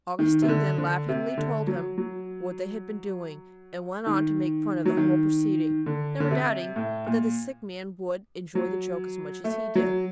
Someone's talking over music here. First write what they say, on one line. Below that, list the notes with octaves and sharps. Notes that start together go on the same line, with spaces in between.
Augustine then laughingly told him what they had been doing, and went on to make fun of the whole proceeding, never doubting but that the sick man would enjoy the joke as much as he did.
D#3
C3
D3
D3
C3
D3
F#3
F#3
D#3
F#3
D#3
D3
D3
C3
A2
A#2
F#3
A3
F#3